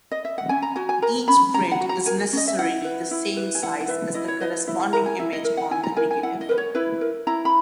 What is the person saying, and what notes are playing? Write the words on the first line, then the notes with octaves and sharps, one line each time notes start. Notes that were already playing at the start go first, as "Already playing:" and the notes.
Each print is necessarily the same size as the corresponding image on the negative.
D#5
E5
F#5
C#4 G#5
A#5
F#4 G#5
G#5
A#4 A#5
C#4 B5
C#4 A#5
F#5
F#4
A#5
A#4 G#5
C#4 D#5
E5
E4 F#5
B4
E4
B4
G#5
E4 F#5
F#5
B4 E5
E4 D#5
C#5
B4 D#5
E4 E5
F#5
A#4 A#5
G#5
E4 E5
D#5
A#4
F#5
E4 G#5
A#5
A#4 G#5
G#5
E4 F#5
D#5
A#4 B4
C#5
E4 B4
A#4
E4 A#5
B5